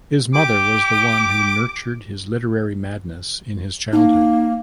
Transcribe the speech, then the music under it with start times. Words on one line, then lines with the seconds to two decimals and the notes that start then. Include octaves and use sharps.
His mother was the one who nurtured his literary madness in his childhood.
0.34 G4 D6
3.93 A#3 D#4